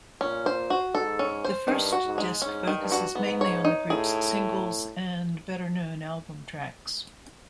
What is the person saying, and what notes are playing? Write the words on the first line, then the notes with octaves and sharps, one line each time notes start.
The first disc focuses mainly on the group's singles and better-known album tracks.
A#2 C#4
C5
F#4
G#2 A4
C#4
C5
G2 D#3
F#4
G#2
G#3
G#2 C#4
D#3
G2
F#4
G#2 B3
C#5
D#4
A2 G#4